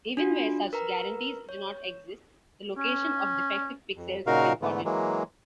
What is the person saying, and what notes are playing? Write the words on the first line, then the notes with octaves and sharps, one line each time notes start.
Even where such guarantees do not exist, the location of defective pixels is important.
D4 F4 F#4
A#4 B4 A#5
C#5
C#4
F2
A#2 C#3 D#4 F#4 A#4 F5
G#2 D3 E3 A3 B3
E3 F#3 G#3 A#3